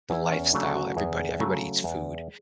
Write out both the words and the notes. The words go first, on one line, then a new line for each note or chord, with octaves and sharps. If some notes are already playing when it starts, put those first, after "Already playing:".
the lifestyle everybody everybody eats food,
E2 E4
C#4
C#3 F#3 A3 D4
F#4
E2 G#4
C#3 F#3 A3
E2